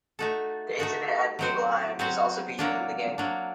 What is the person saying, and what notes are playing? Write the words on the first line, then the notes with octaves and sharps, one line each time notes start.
The incident at Nibelheim is also featured in the game.
A3 D#4 F#4 A4
A3 D#4 F#4 A4
F#3 C4 F#4 C5
F#3 C4 F#4 C5
F#3 A#3 D4
F#3 A#3 D4